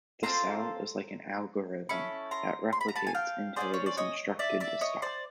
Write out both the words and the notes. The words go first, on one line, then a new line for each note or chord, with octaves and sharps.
The cell is like an algorithm that replicates until it is instructed to stop.
C4 F4 A4 A#5 C6
C#4 E4 A4 B5 C#6
A#5 C6
C6
B5
A#5
A5 B5
G#5
F5 G5
C#4 F4 G#4 C5 D5
C#5
D5
C#5 D#5
D5 E5
D5 E5
C#5 D#5
C5 D5